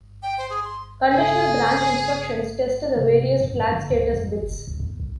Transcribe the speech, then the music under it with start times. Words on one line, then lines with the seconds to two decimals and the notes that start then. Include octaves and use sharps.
Conditional-branch instructions test the various flag status bits.
0.23 G5
0.38 C5
0.50 G#4
0.64 C6
1.11 D#2 C#3 G#4 A4 G#5
2.96 C3
3.41 F#2
3.56 F#2
3.72 D3
3.90 C#2
4.13 F2
4.42 F#1
4.68 C#2
4.80 E2
5.00 C2